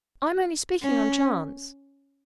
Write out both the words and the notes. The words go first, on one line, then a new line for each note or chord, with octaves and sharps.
I am only speaking on chance.
C#4